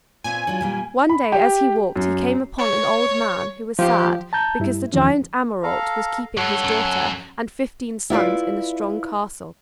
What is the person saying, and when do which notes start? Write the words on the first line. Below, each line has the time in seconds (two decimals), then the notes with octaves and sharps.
One day as he walked he came upon an old man who was sad because the giant Ameraunt was keeping his daughter and fifteen sons in a strong castle.
0.24 A#2 B3 C4 G#5
0.47 F#3 D4 F4
0.61 A#2 G3 A#3
1.09 B5
1.32 G4
1.96 F#2
2.59 C#5
3.79 F3 G4
4.33 A5 A#5 G6
4.60 G2 E4
4.93 E2 D#3 F3 C#4
5.63 A4 F5 A#5
6.37 G2 A4 C#5 F#5
6.64 F#2
8.10 E4 F4 B4 D5